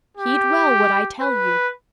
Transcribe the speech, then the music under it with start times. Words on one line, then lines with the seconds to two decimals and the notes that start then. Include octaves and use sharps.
Heed well what I tell you.
0.17 G4
1.22 B4